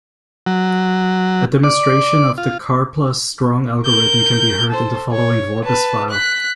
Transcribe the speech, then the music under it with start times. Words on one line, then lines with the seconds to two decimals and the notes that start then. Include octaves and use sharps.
A demonstration of the Karplus-Strong algorithm can be heard in the following Vorbis file.
0.46 F#3
1.64 D5
2.38 F4
3.84 A#4 G6
4.70 A4 C5
5.11 C#5
5.65 B4 A5
6.10 F#6 B6